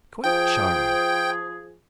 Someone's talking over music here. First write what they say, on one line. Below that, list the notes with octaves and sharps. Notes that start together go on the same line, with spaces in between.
Quite charming!
F3 G#4 G5